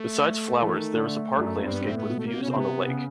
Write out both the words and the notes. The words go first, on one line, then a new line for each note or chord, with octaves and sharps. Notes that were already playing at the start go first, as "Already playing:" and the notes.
Beside flowers there is a park landscape with views on the lake.
Already playing: A3
E3
D#3
D3
G2
F#2
G2 C4
B3
C4
A2
B3
B2
A3
A#3
B2
C#4
C#3 C4
C3 B3
C3
C#3